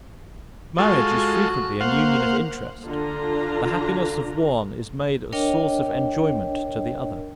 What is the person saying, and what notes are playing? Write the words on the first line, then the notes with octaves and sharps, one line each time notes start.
Marriage is frequently an union of interest: the happiness of one is made a source of enjoyment to the other.
G#3 F4 F#4 A4
A#3 C5 F5 F#5
D3 D4 F4 A#5
D4 A#4 C#5 D#5 G5